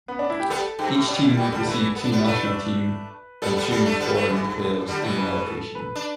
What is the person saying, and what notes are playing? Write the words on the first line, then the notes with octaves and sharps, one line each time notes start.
Each team received two national team and two foreign players in the allocation.
B3
D4
E4
G4
G3 B3 A4
G2 G4
A2
B2 D4
D3 E4
G3
B2 E3 G4
D3 G3 A4
E3 A3 B4
B3 A4
D4
G3 B3
A3 D4 B4
G3 B3 A4
G3 B3
G3 B3 A4
A3 D4
G3 B3
E3 A3
B2 E3
G2
G2
A2
D3 G3
B2 E3
B4
A4
B4
D4